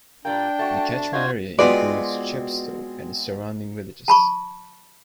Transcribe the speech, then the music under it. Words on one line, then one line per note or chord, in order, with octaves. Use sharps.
The catchment area includes Chepstow and its surrounding villages.
A#2 G3 A#3 D4 G5
A3 F#4 A5
F4 F#4 C5 D#5 F5 G#6
B2 G#3 B3 C4 F4 B4 D5
A5 B5 C#6